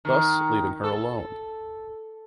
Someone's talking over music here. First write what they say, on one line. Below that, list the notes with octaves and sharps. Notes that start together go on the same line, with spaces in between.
Thus leaving her alone.
D#3
A4